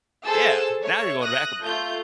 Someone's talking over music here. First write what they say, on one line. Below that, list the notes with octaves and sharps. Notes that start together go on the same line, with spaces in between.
Yeah, now you're going back a minute.
G#4 A4 C5 A5 E6
C#5 E5
D#6 F#6 A#6
A3 F4 G6